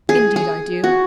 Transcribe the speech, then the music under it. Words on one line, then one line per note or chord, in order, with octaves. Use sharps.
"Indeed I do."
G#4
G#4
F#4